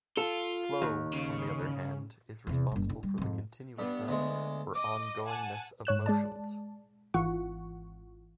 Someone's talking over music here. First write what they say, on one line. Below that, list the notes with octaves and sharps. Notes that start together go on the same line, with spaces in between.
Flow, on the other hand, is responsible for the continuousness or ongoingness of motions.
F4 A4
D#2
C#3
E2 C3
F#1 G3
D3 E4
G3
F2 G#2
G2 B3
D2 G#3
D#5 D6
F#5 G#5 A5
G#2 C#5 F#6 E7
G#3 D5 A5
G#1 E3 F4 F#5 C#6